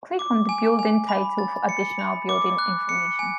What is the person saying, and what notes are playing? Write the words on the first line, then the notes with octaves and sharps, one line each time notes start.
Click on the building title for additional building information.
D6
G#5
G#5
B5
A6
C#7
B5
D6
F#6
C#7
G#5